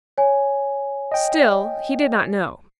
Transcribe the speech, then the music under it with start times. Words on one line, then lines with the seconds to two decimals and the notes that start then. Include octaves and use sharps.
Still he did not know.
0.18 C#5 G#5
1.12 D#5 G5